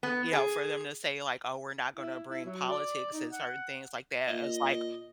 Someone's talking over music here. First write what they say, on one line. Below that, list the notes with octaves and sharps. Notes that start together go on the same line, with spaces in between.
you know, for them to say, like, "Oh, we're not gonna bring politics and certain things like that" is like
B3
G#4
E4
E4
F#3
D5
D#4
F#5
A#2 D#5